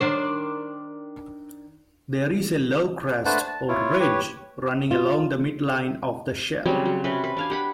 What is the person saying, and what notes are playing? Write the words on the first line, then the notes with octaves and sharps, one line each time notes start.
There is a low crest or ridge running along the midline of the shell.
D#3 D4 C5
A3 D4 B4 C5 F#5 A5
A5
E4 F4 C#5
G4 B4 C#5
F4
C#3 F#3 G3 C4
F#3
C3 C#4 B4
B4
D4 F5 G#5
G4 F#5 B5